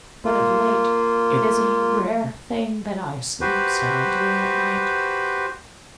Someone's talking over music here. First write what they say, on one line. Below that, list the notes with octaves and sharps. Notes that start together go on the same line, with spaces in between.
But of late, it is a rare thing that I sleep soundly at night.
A#3 F4
F#4 G4 B4 C5